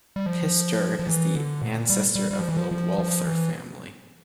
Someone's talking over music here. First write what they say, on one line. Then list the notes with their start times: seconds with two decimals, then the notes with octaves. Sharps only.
Pistor is the ancestor of the Walther family.
0.16 G3
0.26 F3
0.99 F3
1.07 E3
1.35 D3
1.62 A#2
1.89 G3
2.15 G3
2.31 G3
2.39 F3
2.49 E3
2.57 F3
2.71 F3
2.98 F3
3.25 E3